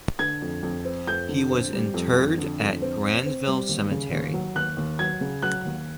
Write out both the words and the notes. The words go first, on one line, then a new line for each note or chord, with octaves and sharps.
He was interred at Grandville Cemetery.
D3 G#6
F2
F2
C4
F2 G6
D3
C4
G3
F2
F2
D3
F2
C4
C4
C4
G3
D#2
C#3
D#2
F#3
D#2 F#6
D#2
F#3 G#6
C#3
F#3 F#6
D#2